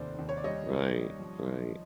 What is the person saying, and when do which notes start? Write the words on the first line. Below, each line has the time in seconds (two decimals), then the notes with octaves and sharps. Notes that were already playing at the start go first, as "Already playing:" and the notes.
Right, right.
Already playing: F1 D#2 C5 D5
0.19 D#2
0.29 C#5
0.37 D5
0.44 G3 C#5 D#5
0.69 G3
0.94 G3
1.19 F3
1.45 F3